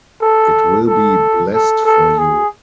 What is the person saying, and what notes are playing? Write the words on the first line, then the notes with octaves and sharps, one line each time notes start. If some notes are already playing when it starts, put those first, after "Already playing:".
It will be blessed for you.
A4
A4
A4
A4
G#4